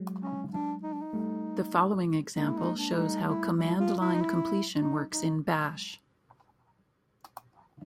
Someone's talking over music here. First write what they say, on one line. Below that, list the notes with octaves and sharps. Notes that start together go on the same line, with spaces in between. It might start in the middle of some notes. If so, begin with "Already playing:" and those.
The following example shows how command-line completion works in Bash.
Already playing: F#3 G#3
C#4
D4
D#4
D4
D#4
G3 A3
G#3 A#3 D#4
E4
D#4
D4
G#3 E4
G3 A3 D#4
E4
F#3 G#3 E4
F4
E4
D#4
E4
D#4
D#4